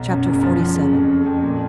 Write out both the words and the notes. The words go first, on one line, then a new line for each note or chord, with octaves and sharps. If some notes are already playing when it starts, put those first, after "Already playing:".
Chapter XLVII.
Already playing: B1
F#2
F#1
F3
F#2
C#3
F2
C#3
F2
A#2